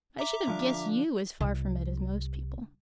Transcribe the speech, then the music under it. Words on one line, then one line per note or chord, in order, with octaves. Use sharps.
I should have guessed you as far from it as most people.
E5 A#5 D6
D3 F3 D4
C2